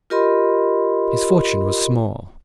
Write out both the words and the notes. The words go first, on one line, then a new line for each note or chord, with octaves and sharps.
His fortune was small.
F4 G4 A#4 D#5 B5 C6